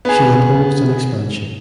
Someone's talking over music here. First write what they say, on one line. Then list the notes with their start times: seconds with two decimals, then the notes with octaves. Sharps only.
She opposed an expansion.
0.05 B3 G#4